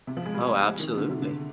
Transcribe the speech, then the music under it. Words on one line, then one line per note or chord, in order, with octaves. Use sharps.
Oh, absolutely.
C3
F3
G#3
G3
D#3
D3
C3
D3